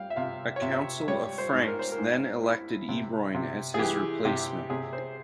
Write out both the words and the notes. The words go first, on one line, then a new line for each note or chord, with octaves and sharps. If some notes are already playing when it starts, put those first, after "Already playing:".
A council of Franks then elected Ebroin as his replacement.
Already playing: G3 F5 G5
E5
C3 F5
C#5
C3 E5
G3 C#5
C5
G#2
A#4
C5
A#4
G#2
E4
C3
C3
G#4
E3 G4
C3 G4
C3 G#4
C5